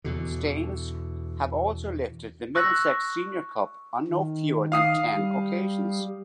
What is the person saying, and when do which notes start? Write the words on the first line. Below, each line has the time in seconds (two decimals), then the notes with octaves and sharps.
Staines have also lifted the Middlesex Senior Cup on no fewer than ten occasions.
0.04 E2 B2 D3
2.55 C#6 E6 F#6 A#6
4.07 D#3
4.72 F5 D#6 C7
5.14 G3